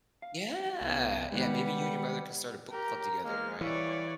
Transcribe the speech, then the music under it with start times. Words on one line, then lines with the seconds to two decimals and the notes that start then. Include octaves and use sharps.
Yeah, yeah maybe you and your mother can start a book club together, right?
0.22 F5
0.81 C2 A3 B3
1.32 C3 D#3 G3 G#3 B3 B4 F#5
2.72 G4 A#4 A#5
3.24 G#3 A#3 F6
3.61 E3 G3 C#5 D5 F5